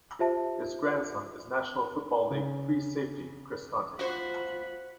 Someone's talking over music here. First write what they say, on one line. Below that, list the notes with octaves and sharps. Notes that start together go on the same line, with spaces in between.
His grandson is National Football League free safety Chris Conte.
F4 G4 C5 E5 A5
C#3
F4 F#4 C5 B5